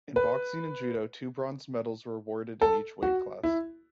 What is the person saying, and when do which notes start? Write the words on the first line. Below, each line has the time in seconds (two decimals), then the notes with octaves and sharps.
In boxing and judo two bronze medals were awarded in each weight class.
0.16 B4
2.61 A4
3.03 F#4
3.43 E4